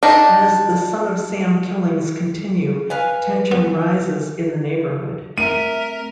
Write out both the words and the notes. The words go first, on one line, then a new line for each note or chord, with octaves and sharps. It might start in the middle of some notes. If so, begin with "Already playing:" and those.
As the Son of Sam killings continue, tension rises in the neighborhood.
D4 D#4
B4 F5 G#5
B3
A3 C4 A#4 E5 D#7